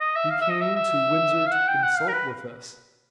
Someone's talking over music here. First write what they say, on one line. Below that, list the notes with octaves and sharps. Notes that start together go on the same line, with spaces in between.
He came to Windsor to consult with us.
D#5
E5
F5
E5
D#5
E5
E5
F5
F#5
G5
F#5
F5
A#4
B4